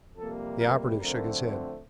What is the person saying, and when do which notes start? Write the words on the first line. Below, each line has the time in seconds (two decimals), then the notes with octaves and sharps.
The operative shook his head.
0.17 F2 C3 G3 A#3 A4
0.58 A#4
0.98 F2 D3 A3 C4 A#4